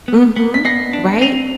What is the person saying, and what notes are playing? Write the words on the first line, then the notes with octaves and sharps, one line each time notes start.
Mhm. Right?
B3
B3
B6
B3 A#6 C7
D4
C4 D#7 F7